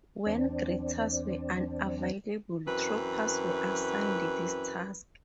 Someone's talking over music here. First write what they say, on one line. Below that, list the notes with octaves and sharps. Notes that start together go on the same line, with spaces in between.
When greeters were unavailable, troopers were assigned this task.
E2 C4 D4
F#2 E3 C4 B4